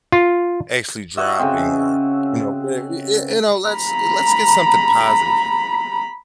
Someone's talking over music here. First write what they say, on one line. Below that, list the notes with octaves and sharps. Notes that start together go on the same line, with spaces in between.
actually dropping," or, you know, where you eh you know, let's let's get something positive here.
F4
F#4 D#5 E5
C#3 C4
A#5 B5